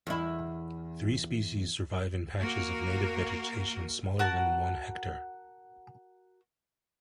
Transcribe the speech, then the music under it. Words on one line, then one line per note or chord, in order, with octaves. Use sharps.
Three species survive in patches of native vegetation smaller than one hectare.
E2 E4
A#3 F#4 A#4
F#4 A#4 F#5 A5